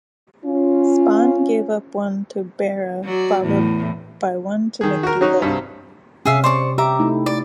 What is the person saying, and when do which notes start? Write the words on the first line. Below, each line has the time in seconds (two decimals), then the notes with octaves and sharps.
Spahn gave up one to Berra, followed by one to McDougald.
0.44 C#4 F4
3.05 F#3 D5
3.42 E2 A2
4.81 D#3 G#4
5.03 F#4 A#4
5.21 F#3 C#4 D#4 F#4
5.42 C2 G2
6.25 C3 C#4 G#4 E5 F5
6.44 C5 D5 C#6
6.78 G4 E5 A#5 D6
6.99 A3 D#4 E4
7.26 D5